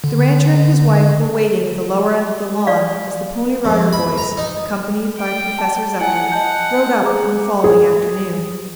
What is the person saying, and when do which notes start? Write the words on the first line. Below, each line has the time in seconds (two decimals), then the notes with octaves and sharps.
The rancher and his wife were waiting at the lower end of the lawn as the Pony Rider Boys, accompanied by Professor Zepplin, rode up on the following afternoon.
0.04 D3
2.67 D5 F5
3.65 F2
3.93 B5
4.18 A#5
4.37 D#4
5.17 G5
5.59 A5
6.00 E4 F#5 G#5 A5
6.32 D#5 A5 G6
7.03 G#4 A#5 D6
7.64 G#4